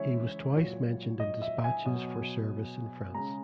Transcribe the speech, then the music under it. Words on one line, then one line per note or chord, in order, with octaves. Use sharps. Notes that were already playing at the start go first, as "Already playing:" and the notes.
He was twice mentioned in despatches for service in France.
Already playing: C#3 E3 G#3 C#5 E5
A#2 F#3
D#5
E5
G#5
B2 F#3
C#3 G#3 A#5